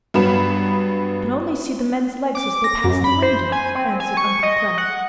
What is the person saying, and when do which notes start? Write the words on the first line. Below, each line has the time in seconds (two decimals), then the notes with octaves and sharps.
"We can only see the men's legs as they pass the window," answered Uncle Clem.
0.14 G2 F#3 B3 B5 E7
2.35 D6
2.64 A#6
2.84 F#2
3.04 B5
3.22 C5
3.52 G#5
3.75 C4
4.00 G#5
4.17 C#6
4.43 D#5
4.78 F#5